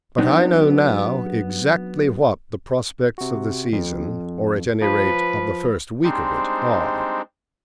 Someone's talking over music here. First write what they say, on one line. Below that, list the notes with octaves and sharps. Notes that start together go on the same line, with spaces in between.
But I know now exactly what the prospects of the season--or, at any rate, of the first week of it--are.
F#3 B3 C4 D4 D#4
C3 F#4
F2
F3 B4
G3 G#3 C4 D4 D#4 C5